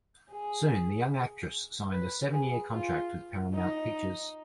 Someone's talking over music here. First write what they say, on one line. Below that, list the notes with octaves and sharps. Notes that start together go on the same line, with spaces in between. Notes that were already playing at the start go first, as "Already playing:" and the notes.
Soon the young actress signed a seven-year contract with Paramount Pictures.
G#4
B4
G#4
F4
D#4